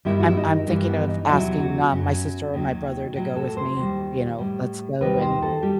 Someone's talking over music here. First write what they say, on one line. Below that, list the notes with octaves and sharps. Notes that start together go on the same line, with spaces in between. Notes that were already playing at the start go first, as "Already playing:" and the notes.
I'm I'm thinking of asking, um, my sister or my brother to go with me, you know, let's go and
G2 D#3 G3 E4
F#4
E4
D#4
G2 E3 G3 C4
B3
D#4
E2 C3 F#3 E4
F#4
F#2 F#3
D#2 D#3 F#3
A2 F#3
A4
C5
D#2 D#3 G3
A2 G3
D#2 D#3 G3 B4
C5
A4
G3 G4